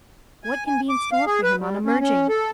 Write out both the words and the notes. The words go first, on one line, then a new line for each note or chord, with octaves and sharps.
What can be in store for him on emerging?
G#5
G#5
D6
F5
G#4
B4
G3
C#4
C#4
A4